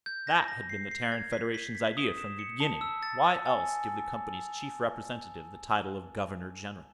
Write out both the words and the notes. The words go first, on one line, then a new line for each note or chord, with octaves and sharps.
That had been the Terran Federation's idea, from the beginning; why else give the Company's chief representative the title of Governor-General?
G6
A#6
A#6
C7
C7
G#6
B6
B6
B6
D#6
E7
C#7
A5
E6
A6
E6
G#5